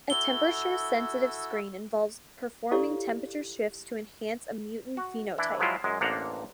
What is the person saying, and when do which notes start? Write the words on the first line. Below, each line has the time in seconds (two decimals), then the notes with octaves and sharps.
A temperature sensitive screen involves performing temperature shifts to enhance a mutant phenotype.
0.10 E4 F#4 A4 G7
2.71 E4 G4 A4 C#5 D5 F5
4.97 F#4
5.38 E3 D4 E4
5.59 F3 F#3 G#3 E4 F4
5.84 F#2 G#3
6.01 A1 A#3 D4 C5 F#5 A#5